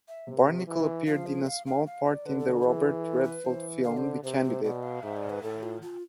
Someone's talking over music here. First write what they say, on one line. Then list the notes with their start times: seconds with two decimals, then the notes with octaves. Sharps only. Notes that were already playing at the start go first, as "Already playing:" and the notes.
Barnicle appeared in a small part in the Robert Redford film "The Candidate".
0.08 E5
0.27 C3
0.67 E3
1.07 F3 F5
1.27 G#4
1.47 F5
1.66 F5
1.87 F5
2.06 D5
2.26 D3 B4
2.39 A4
2.51 F4
2.65 E3 G#4
3.05 A4
3.24 B4
3.44 E3 C5
3.84 D3 F5
3.97 C5
4.23 C3 C5
4.43 C5
4.63 B2 D5
4.83 F5
5.03 G#2 E5
5.17 D5
5.30 B4
5.42 A2 A4
5.63 F4
5.82 F4